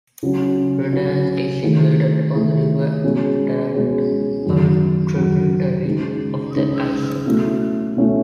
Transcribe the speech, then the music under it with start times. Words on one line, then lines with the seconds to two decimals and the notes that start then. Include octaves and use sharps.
Redange is situated on the river Attert, a tributary of the Alzette.
0.23 C#3 F#3 C#4
0.93 C#3 F#3 C#4
1.63 D#3 A3 E4 G#4
2.33 D#3 A3 E4 G#4
3.04 B2 G#3 C#4 G#4
3.75 B2 G#3 C#4 G#4
4.44 F#2 D#3 F#3
5.15 F#2 D#3 F#3
5.85 C#3 G#3 D#4
6.56 C#3 G#3 D#4
7.26 B2 A3 C#4 E4
7.96 B2 A3 C#4 E4